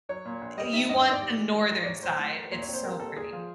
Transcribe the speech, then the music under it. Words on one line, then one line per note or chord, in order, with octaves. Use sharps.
Eh, you want the northern side- it's so pretty.
F#3 C#5
A#2
A#1
G3 D#5
D#3 E5
G2 D#5
D#5
G#1
D5
G3
E3
A2
A1
D5
A1 C#5
F#3 C5
A2
A1
A#2 C#5
C#5
C4
C5
G3 A#4
A#2 A4
G#3 G#4
F3